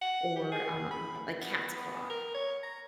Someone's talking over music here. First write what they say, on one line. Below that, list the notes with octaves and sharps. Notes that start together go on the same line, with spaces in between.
or, um, like, cat's claw,
F#5
G4
G#4
B5
B3
B3
A#4
C#5
A#5